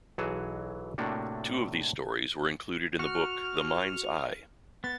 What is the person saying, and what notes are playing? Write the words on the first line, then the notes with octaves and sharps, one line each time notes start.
Two of these stories were included in the book The Mind's I.
B1 E3 F#3 F#4 G#4 A5
A2 C3 A3 A#3 D4 F#4
F#4 F6
B3 A6